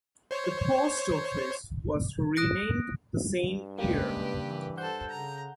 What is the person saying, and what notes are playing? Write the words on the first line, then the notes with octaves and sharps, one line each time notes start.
The post office was renamed the same year.
C5 C#5
D#6 F#6 A#6 D7
G2
C#3 G#3 A#3 G4 B4
E3
A4 C5 F#5 G6
C#3 A#5